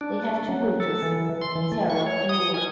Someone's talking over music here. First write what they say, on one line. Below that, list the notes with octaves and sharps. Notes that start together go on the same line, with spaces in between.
They have two daughters, Sarah and Laura.
D4
A3
F#3
A4
E3
C6
E3
A3
C#6
C#5
D#6
G#5